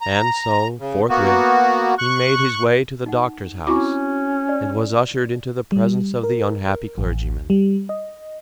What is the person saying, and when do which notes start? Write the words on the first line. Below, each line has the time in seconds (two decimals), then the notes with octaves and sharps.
And so, forthwith, he made his way to the doctor's house, and was ushered into the presence of the unhappy clergyman.
0.01 A#5
0.80 C#3
1.09 A#3 B3 F#4
1.98 C#6 F#6
3.06 D#4 F#5
3.67 C4 C#4 E4 F#4 G#5 C#6 D6
4.49 D5
5.72 G3
6.23 A#4
6.98 A1
7.50 G3
7.89 D#5